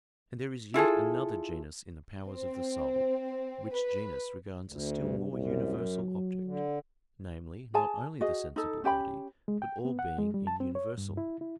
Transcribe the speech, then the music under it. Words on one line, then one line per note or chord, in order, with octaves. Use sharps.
And there is yet another genus in the powers of the soul, which genus regards a still more universal object--namely, not only the sensible body, but all being in universal.
E4 F4 G#4 A4
C4
B4
D2
G2
C2 F#2
F#3
D3
G#4 G#5 A5
F#4 G#4 D#5
D#4 A4
C#4 G4 G5 B5
G#3
G5
B3
F#5
G#3
G3
A5
C4
C#5
G2
E4
E4